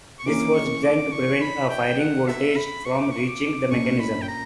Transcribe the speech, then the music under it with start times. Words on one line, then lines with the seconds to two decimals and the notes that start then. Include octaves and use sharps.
This was designed to prevent a firing voltage from reaching the mechanism.
0.19 C#6
0.26 E3 A#3 C#4 D6
0.54 C#6
0.83 D6
1.12 C#6
1.41 B5
1.70 G5
1.99 F#5
2.28 E5
2.56 B5
2.85 C#6
2.98 D6
3.12 C#6
3.28 D6
3.71 A#2 A#3 C#4 C#6
4.00 B5
4.22 G5
4.28 A#5